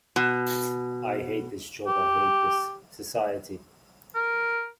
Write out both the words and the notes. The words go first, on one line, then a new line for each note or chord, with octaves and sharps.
Few written works have their storyline taking place during Samo's Empire.
B2
G4
A#4